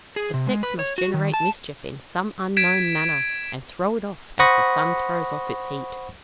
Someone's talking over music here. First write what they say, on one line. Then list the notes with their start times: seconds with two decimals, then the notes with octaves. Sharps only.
The sex must generate mischief in some unknown manner, and throw it off, as the sun throws off its heat.
0.16 G#4
0.34 C3
0.47 G#3
0.63 B4
0.79 C#5
0.98 F#4
1.14 D#3
1.34 A5
2.57 G#6 B6 D7 E7
4.39 C5 F#5 B5 C#6 D#6 A#6